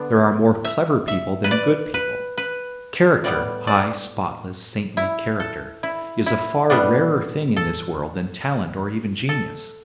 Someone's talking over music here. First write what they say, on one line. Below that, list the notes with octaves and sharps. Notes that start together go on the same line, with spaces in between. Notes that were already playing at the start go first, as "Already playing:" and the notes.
There are more clever people than good people; character,--high, spotless, saintly character,--is a far rarer thing in this world than talent or even genius.
Already playing: D3 B3 D4
E5
E5
B4
D5
B4
B4
A2 G3 B3 D5
D5
E4
A4
E4
E4
A2 G3 B3 D4
A4
A4